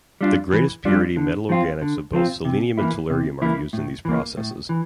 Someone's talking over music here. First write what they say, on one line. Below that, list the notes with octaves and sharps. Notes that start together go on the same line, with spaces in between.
The greatest purity metalorganics of both selenium and tellurium are used in these processes.
G3 D4 F4
E3
G3 D4 F4
D3
F3 C4 F4
D3
F3 C4 F4
C3
E3 A#3 E4
C3
E3 A#3 E4
A2
E3 A#3
A2
E3